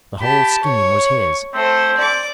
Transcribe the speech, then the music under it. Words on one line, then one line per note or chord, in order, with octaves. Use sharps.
The whole scheme was his.
G4 A5 B5
C#5 C#6
A3 C4 C5
D5 D6